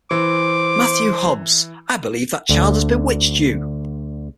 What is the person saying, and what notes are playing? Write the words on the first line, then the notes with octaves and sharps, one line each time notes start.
Matthew Hobbs, I believe that child has bewitched you!
E3 C5 D6
D2 D3